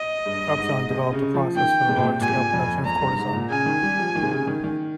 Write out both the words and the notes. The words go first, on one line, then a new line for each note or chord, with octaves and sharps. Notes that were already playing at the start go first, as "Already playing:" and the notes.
Upjohn developed a process for the large scale production of cortisone.
Already playing: D#5
G2
G#2
C3
C#3
F3
D#3 G5
C3
A#2
C3
A#2 G#5
C3
A#2
F2
F2 A#5
G2
G#2
A#2
C#3 G#5
D#3
G3
F3
D#3
C3
C#3
D#3
D#3